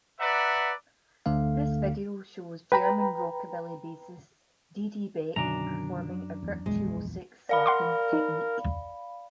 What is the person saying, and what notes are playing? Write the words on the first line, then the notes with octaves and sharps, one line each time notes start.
This video shows German rockabilly bassist Didi Beck performing a virtuosic slapping technique.
B4 D5 E5 F#5 A#5
D2 D3 A3 F5
B4 G5 A#5 B5
F#2 B2 D3 D#3 D4 A#5
E2
A#1 E2 A#2 G#3
A#4 D5 F5 B5
F#5 C6 D6
D#4